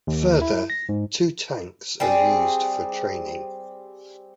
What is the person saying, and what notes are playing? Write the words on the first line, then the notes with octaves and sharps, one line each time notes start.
Further two tanks are used for training.
D#2
E4
A#6
G#2
G3 C4 G#4